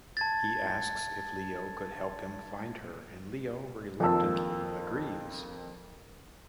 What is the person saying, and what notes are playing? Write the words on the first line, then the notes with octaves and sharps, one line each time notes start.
He asks if Leo could help him find her and Leo reluctantly agrees.
A5 G#6 A6
F2 D#3 A#3 F4 A5 E6